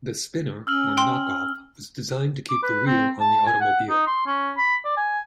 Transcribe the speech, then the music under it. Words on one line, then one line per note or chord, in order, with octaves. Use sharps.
The spinner or "knock-off" was designed to keep the wheel on the automobile.
C#4 E6 F6 F#7
G5 C6
D6
B4
C4
A5
G#5
F#5
D#4
C6
C#4
B5
D5
G#5